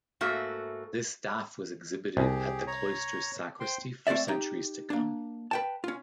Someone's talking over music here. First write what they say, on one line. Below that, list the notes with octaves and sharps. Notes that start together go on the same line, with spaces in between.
This staff was exhibited at the cloister's sacristy for centuries to come.
G#2 A3 A#3 F#4 E5
C2 G4 G#4
C#5 A#5
C5 G5 C6
A3 C4 C#4 D5 E5
D#4 G4
A#3 D4
B4 G5 A5
C#4 F4